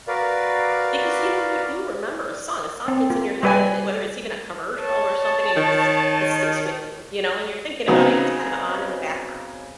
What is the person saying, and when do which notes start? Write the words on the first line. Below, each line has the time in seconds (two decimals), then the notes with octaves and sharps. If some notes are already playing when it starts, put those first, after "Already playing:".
Because you know, you do remember a song a song gets in your head, and it whether it's even a commercial or something, and you just it sticks with you you know, and you're thinking about it it's kinda on in the background,
0.08 F#4 A#4 B4 D5 F5
2.88 C4
3.10 A#3 F4
3.43 G3 G4 B4 D5 G#5
4.80 C#5 A5
5.57 D#3
7.88 C#3 F#3 B3 C4 D#4